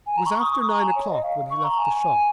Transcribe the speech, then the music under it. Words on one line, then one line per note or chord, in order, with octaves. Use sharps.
It was after nine o'clock when he left the shop.
G#5
A#5
C#6
D#6
C#6
A#5
G#5
C#5
D#5
F5
C#6
A#5
G#5